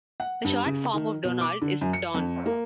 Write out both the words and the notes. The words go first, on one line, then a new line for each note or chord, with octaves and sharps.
A short form of "Donald" is "Don".
F#5
G2
C#3
D#3
B2
D6
D3
F#2
C#7
F2
A#3